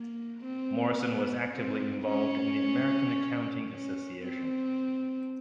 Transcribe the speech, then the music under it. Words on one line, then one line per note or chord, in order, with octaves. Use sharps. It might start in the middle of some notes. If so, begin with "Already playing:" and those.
Morrison was actively involved in the American Accounting Association.
Already playing: A#3
C4
B3
C4
C#4
C#4
C4